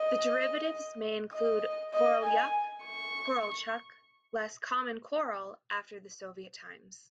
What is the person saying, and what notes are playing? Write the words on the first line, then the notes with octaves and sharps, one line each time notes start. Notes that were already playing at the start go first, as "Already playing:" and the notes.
The derivatives may include Korolyuk, Korolchuk, less common Korol after the Soviet times.
Already playing: D#5
D#5
D#5
G#5
C#6